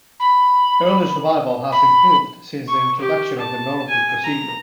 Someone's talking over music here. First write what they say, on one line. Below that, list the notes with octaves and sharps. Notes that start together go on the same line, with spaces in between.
Early survival has improved since the introduction of the Norwood procedure.
B5
B5
C#6
G4
A5
G#5
A#5